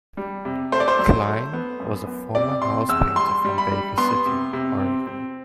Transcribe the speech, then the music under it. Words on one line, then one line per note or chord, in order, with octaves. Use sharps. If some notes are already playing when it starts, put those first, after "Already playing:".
Cline was a former house painter from Baker City, Oregon.
G3
C3
A3 C5
D5
C5
F#3
A3
B3
F#2
B3
C3 D5
C3 C6
E2 E6
G3 C6
G3
B5
G3
B3 C6
C3
C3
C4
C4